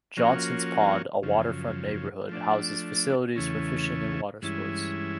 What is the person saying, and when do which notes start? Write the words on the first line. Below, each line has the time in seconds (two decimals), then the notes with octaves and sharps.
Johnson's Pond, a waterfront neighborhood, houses facilities for fishing and watersports.
0.17 F3 A#3 C#4 F#4
1.23 F#2 C#3 F3
2.29 F3 A3 D4
3.36 E2 C#3 E3 A3 C#4
4.42 G2 E3 G#3 C#4 E4